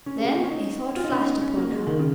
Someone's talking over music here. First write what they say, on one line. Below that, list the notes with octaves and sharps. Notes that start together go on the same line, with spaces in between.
Then a thought flashed upon her.
C#4
G#3
A#3
C4
C#4
D#4
F4
D#4
C#4
D#4
C#4
A#3
G#3
D#3
C#3